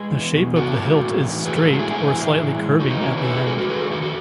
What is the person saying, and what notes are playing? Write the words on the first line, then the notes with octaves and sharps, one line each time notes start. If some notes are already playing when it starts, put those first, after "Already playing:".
The shape of the hilt is straight or slightly curving at the end.
Already playing: G#3 G#4 B4
E2
B2
E2 F#4 A4
G#3
A2
E3
A2 G#4 B4
F#4 A4
G#3 A4
E4 G#4
A2 E4 G#4
E3
A2
G#3
E2 D#4 F#4
B3 D#4
D#3 C#4 E4
B4
E2 F#4 A4
G#4 B4
G#3 F#4 A4
F#4 A4
E2 G#4 B4
F#4 A4
D#3 F#4 A4
F#4 A4